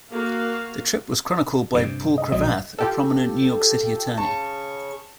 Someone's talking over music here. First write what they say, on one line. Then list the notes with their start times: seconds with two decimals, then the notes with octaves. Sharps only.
The trip was chronicled by Paul Cravath, a prominent New York City attorney.
0.10 A#3 F#4 F5
1.74 G2 C3
2.18 D#5
2.32 A#1 B2 F#3 D#5
2.78 F4 G4 A4
4.18 C#3 A5 C#6